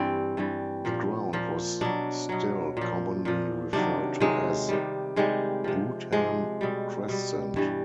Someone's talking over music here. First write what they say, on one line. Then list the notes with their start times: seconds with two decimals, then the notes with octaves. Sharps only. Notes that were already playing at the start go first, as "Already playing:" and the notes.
The ground was still commonly referred to as Bootham Crescent.
Already playing: G2 E3 G3 C4
0.37 G2 E3 G3
0.85 A#2 F3
1.33 A#2 F3
1.81 B2 F#3 D4
2.29 B2 F#3
2.77 A#2 F3
3.25 A#2 F3
3.73 C3 D#3 F#3 D4
4.20 C3 D#3 F#3 G#3
4.69 C3 D#3 G3
5.16 C3 D#3 G3 G#3
5.64 C3 F3
6.12 C3 F3 G#3
6.61 B2 G3
7.08 B2 G3
7.56 G2 E3 G3